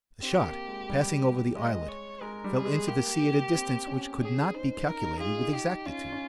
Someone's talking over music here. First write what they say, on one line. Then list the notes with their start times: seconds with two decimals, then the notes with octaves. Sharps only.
The shot, passing over the islet, fell into the sea at a distance which could not be calculated with exactitude.
0.22 C4 G4
0.45 A#3
0.67 G#3
0.89 G3
1.55 G#3 D#5
1.88 C#5
2.21 G#3 A#4
2.44 G3
2.55 G#4
2.65 G#3
2.88 A#3 G4
3.55 C4
3.87 C#4
4.21 C#4 G#4
4.53 D#4 C5
4.87 D#4 A#4
5.03 D#4
5.20 F4 G#4
5.37 D#4
5.52 D#4 G4
5.85 C#4 F4
6.12 C#4